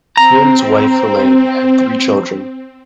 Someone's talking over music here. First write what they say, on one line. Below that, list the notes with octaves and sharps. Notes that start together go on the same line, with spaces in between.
He and his wife Elaine had three children.
C4 A#5